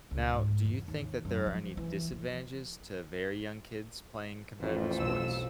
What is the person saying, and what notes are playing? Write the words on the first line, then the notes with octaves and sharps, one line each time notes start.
Now, do you think that there are any disadvantages to very young kids playing competitive sports?
C#2
G#2
E2
D#2
F#2
F3
E3
F3
A1 F2
B1 E6